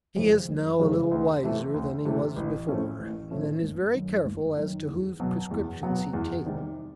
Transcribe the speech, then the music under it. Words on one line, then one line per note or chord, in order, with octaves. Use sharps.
He is now a little wiser than he was before; and is very careful as to whose prescriptions he takes.
F2 C#3 E3 G#3
F#1
F2 C#3 E3 G#3
D2
C3 E3 A3
D2
C3 E3 A3
A1
A2 F3 A3 C#4
A1
A2 F3 A3 C#4
G1
F#2 D#3
G1
F#2 D#3
E2
B2 F#3 B3
E2
B2 F#3 B3
E2
C3 D#3 G3